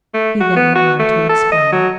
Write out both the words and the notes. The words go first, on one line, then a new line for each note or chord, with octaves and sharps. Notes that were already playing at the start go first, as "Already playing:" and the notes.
He then went on to explain.
A3
F#4
B3
F#4
A3
A4
D#5
F#3